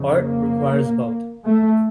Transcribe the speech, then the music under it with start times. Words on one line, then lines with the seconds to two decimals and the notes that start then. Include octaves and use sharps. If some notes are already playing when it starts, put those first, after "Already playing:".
Art requires both.
Already playing: F2 C#3
0.17 A#3
1.45 A3